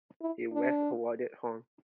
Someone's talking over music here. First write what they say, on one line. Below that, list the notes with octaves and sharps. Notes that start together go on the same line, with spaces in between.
He was awarded Hon.
E4
D4